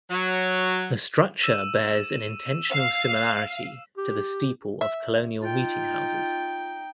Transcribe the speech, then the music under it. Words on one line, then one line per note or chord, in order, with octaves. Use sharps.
The structure bears an intentional similarity to the steeple of colonial meeting houses.
F#3
E6 D#7 E7
F5
G4
E5
D#4 F4 G5